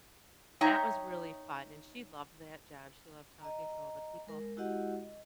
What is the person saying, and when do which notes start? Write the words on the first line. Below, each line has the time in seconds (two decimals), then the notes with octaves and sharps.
that was really fun, and she loved that job, she loved talking to all the people,
0.61 D#4 C#5 E5 G5 A#5
3.41 D#5 A#5
4.27 G#3 A#4
4.57 G#3 E4 F#4 G4 D#5 F#5
5.02 D#5